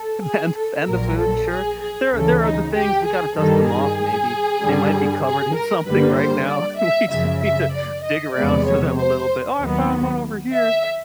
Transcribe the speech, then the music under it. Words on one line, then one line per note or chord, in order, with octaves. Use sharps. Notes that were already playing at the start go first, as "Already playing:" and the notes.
And and the food, sure. There there are the things we gotta dust them off maybe. They might be covered in something right now. We just need to dig around for them a little bit, "Oh, I found one over here."
Already playing: A4
G#4
A4
A#1 A#2 F#3 A#4
A4
G#4
G#4
D2 C#3 E3 A4
D#4
G4
G#4
G2 D#3 G3 A4
G#4
G2 D3 G3
G#4
A#4
G2 D3 G3 A#3 B4
C5
D5
E5
F#2 C#3 F3 E5
E5
D5
D#5
E2 C3 F3 G#3 B3 D5
C#5
C5
D#2 D#3 F#3 B3
E5